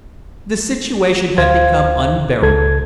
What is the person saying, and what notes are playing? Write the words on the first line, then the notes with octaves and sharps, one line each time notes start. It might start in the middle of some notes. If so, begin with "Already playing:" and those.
The situation had become unbearable.
D2 D3 C5 F5 G#6
C#2 A4 G#6